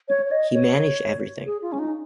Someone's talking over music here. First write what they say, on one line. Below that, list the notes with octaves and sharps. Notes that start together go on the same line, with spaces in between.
He managed everything.
C#5
C#5
D#5
C#5
G#4
F4
C#4
D#4